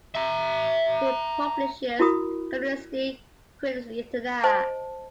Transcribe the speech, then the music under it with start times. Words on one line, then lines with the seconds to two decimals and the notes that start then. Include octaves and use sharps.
It publishes "Kommunisty Kyrgyzstana".
0.15 E5 A#5
1.99 E4 F#4 A#4 B5 D#6
4.44 C5 D#5 A5